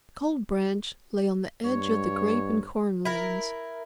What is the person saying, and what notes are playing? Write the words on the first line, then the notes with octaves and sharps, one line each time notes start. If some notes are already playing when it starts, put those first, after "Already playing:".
Cold Branch lay on the edge of the grape and corn lands.
G2 C#5
E4 A#4